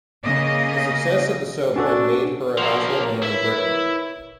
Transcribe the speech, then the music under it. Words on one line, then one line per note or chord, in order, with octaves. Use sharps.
The success of the soap had made her a household name in Britain.
C#3 A#3 D#5
C#4 D4 F#4 A4
F3 A#3 F#4 A4
A#4 B4 C#5
E4 E5